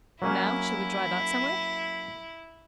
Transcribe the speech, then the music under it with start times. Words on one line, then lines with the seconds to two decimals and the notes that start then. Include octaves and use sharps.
And now, shall we drive out somewhere?
0.22 F#3 A#3 C#4 E4